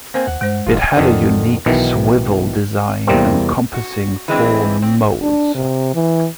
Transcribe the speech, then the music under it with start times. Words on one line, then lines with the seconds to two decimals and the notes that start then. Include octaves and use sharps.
It had a unique swivel design encompassing four 'modes'.
0.14 A#3 C4 C5 G#5
0.27 D#2 F#5
0.41 G2 G#3 C5
0.67 F#1 F#2 D#3 F4
0.97 F2 D3 D#3
1.66 B1 B2 D#3 E3
3.07 E2 C3 G3 A#3 C4
3.74 F#4
4.28 E3 G#3 C4 D4
4.82 C4
5.22 D4
5.54 C3
5.94 E3